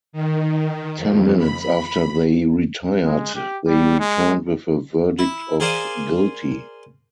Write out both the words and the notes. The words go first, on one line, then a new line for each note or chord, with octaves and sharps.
Ten minutes after they retired, they returned with a verdict of guilty.
D#3
F2
B5
G#3
G4
G3
G#3
E4
G#4 A#4 C5 D5 F5 G#5